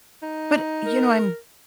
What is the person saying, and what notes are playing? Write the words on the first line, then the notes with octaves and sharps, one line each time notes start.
But, you know, I'm
D#4
A#4